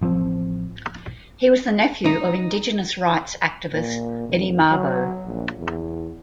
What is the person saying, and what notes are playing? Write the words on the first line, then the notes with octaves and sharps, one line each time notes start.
He was the nephew of indigenous rights activist Eddie Mabo.
A1 F3 B3 C4
D#4
A#2
F1
F#3
A#1
E2